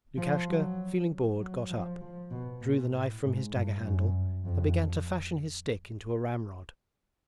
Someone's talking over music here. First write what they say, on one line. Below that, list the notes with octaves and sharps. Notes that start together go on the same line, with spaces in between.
Lukashka feeling bored got up, drew the knife from his dagger-handle and began to fashion his stick into a ramrod.
F3
F#3
F#3
F3
F3
B2
A#2
A2
G#2
G2
F#2
F2